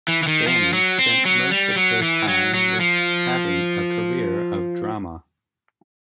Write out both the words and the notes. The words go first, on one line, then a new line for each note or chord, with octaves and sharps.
Dani spent most of her time with having a career of drama.
E3
E3
D#3
F3
F#3
C4
F#3
G3
F#3
E3
F#3
F#3
F3